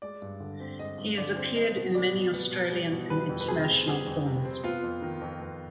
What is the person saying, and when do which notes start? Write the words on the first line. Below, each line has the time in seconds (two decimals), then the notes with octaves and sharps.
He has appeared in many Australian and international films.
0.02 G#3 D5
0.22 G2
0.40 D3
0.60 C4
0.79 G#3 D#5
0.98 G2
1.18 D3 D5
1.36 C4
1.56 B3 D#5
1.76 B2
1.95 G3 D5
2.14 B2
2.34 B3
2.52 B2
2.71 G3
2.91 B2
3.10 G3 B4
3.29 F2
3.41 B4
3.48 C3 G#4
3.67 C4
3.87 G3 G#4
4.06 F2
4.26 C3
4.45 C4
4.64 B3 F4
4.83 F2
5.02 D#3
5.22 F2
5.41 B3